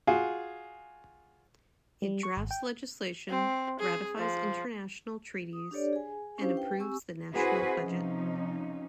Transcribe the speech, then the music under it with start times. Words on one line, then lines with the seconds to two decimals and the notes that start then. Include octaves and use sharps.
It drafts legislation, ratifies international treaties, and approves the national budget.
0.07 F4 F#4 G#4
2.02 G3
2.23 C#6
2.37 G#1
2.51 G5
3.29 C4
3.80 G#4
4.18 F3
5.53 D#6
5.71 D4 G4 A4 C#5 D5
5.93 G#4 G#5
6.38 C#4 D4 E4 G4 C5 F5
6.56 B4 G5
6.79 C4 G4 G#5 C#6 E6
7.33 C4 E4 F#4 G#4 B4 C5
7.81 C3 F3 C#4 D#4